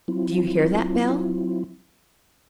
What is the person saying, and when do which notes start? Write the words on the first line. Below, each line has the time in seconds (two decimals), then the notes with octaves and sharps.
Do you hear that, Bell?
0.08 F#3 C4 E4 F4